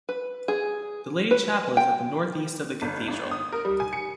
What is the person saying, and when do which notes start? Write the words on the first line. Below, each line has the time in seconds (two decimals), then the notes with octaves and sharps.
The Lady Chapel is at the northeast of the cathedral.
0.09 B4
0.48 G#4
1.31 B4
1.77 G5
2.82 G1
3.08 G1
3.31 D#6
3.52 A#4
3.65 G3
3.80 G#5
3.93 C#7